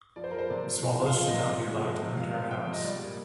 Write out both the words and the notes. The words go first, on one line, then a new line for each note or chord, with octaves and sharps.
Swallows should not be allowed to enter a house.
F3 D5
C5
A#4
F3 C5
C3 D5
C3
F3
F3
F5
F3
D#5
C3
C3
G#3
F3
C3
C3 F5
C3
F3 G5
C3
D#5
G3 D5
A#2